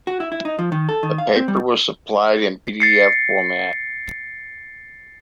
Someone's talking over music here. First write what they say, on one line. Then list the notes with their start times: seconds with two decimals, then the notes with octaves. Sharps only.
The paper was supplied in pdf format.
0.07 F#4
0.20 E4
0.32 E4
0.45 D#4
0.59 F3
0.72 D#3
0.89 A4
1.03 D#3
1.18 F5
1.36 C4
1.48 G3
2.80 A6 C7 C#7